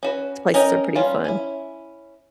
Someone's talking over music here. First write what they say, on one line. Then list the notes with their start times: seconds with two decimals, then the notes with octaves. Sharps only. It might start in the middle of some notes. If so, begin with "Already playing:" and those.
places are pretty fun.
0.03 C#4 F#4 B4
0.54 C#4 A#4 D#5 G5 A#5
0.95 G3 C#4 F4
1.24 C#4 E4